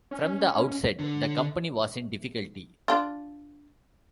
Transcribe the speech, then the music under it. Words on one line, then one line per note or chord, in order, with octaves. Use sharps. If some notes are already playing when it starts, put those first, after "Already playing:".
From the outset the company was in difficulty.
C#4
D3
D4 F4